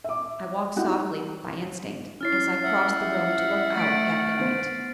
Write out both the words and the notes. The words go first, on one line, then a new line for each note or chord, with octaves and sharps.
I walked softly, by instinct, as I crossed the room to look out at the night.
E5 D6
G3 D#4 E4 F#4 G4 F#5
C#4 E4 C#5 F6 A6 C7
E5 F#5 F6
A3 A6 B6 D7
B3 C5